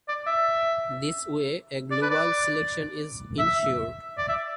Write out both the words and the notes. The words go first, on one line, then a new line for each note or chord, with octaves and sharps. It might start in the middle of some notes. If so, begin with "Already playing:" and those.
This way a global selection is insured.
D5
E5
D5
B4
D5
E5
D5
E5